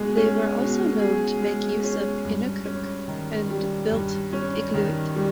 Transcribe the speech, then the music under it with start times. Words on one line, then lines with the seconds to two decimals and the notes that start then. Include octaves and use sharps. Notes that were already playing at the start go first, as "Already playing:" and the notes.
They were also known to make use of "inukhuk" and built "igluit".
Already playing: B2 G#3 G#4
0.17 C#4
0.59 B2
0.99 G#4
1.42 G#3
1.84 C#4
2.25 G2
2.66 C#4
3.08 D#3
3.50 G3
3.91 G2
4.33 C#4
4.74 D#3
5.16 G3